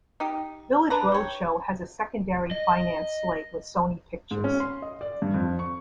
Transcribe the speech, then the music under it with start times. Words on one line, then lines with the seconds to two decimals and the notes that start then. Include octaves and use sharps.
Village Roadshow has a secondary finance slate with Sony Pictures.
0.20 D#4 G4
0.90 D4 B4 A#5
1.12 G4 C#5
2.51 D#5
4.31 G#2
4.44 C#4
4.60 C6
4.82 D#5
5.01 D5
5.22 G2
5.34 F2
5.59 C#6